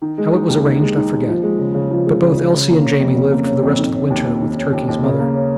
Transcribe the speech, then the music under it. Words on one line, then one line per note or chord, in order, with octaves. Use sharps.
How it was arranged, I forget, but both Elsie and Jamie lived for the rest of the winter with Turkey's mother.
D#3
G#3
D#4
D#2
D#3
G#3
D#4
D#2
F3
G#3
C#3
C#3
F3
G#3
C#3
C#3
C#3
A#3
C#4
F2
C#3
A#3
C#4
F2
D#3
C#4
D#2
D#2
D#3
C#4
D#2
D#2
C#3
A#3
C#4